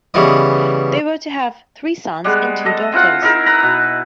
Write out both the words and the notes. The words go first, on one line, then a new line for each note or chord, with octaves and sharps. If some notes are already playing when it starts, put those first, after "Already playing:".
They were to have three sons and two daughters.
C#3 E3 G3 B3 E4 D#5
G3 G#3 B3 G#4
A4 D#5
C4 E4 F4 F#5
D#4 E4 G#4 A#4
B4 A#5 B5
B2